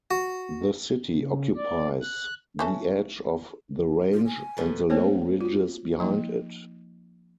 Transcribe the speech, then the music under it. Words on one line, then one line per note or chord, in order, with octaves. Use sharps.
The city occupies the edge of the range and the low ridges behind it.
F#4
C#3
D5
F#6
E3 C#4 A4
F4
G#5
F2 B2
A3 A#3 C4 A4 C5 C#5
F4 F#4
F3 A#3 D#4